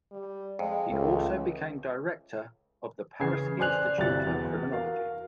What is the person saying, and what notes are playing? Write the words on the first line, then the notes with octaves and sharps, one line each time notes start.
He also became director of the Paris Institute of Criminology.
G3
F2 G#3
C#2 A3
C#3 E3 G#6 C7
C5 D5 G#5 F#6 F7
G1 C2 F#3 E4 G4 A6
E2
F#4 A#4 F5